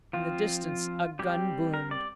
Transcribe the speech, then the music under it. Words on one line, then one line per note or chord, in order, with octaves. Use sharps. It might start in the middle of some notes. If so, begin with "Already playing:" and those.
In the distance a gun boomed.
F3 C4 F4
G3 C4 G4
A#4
D5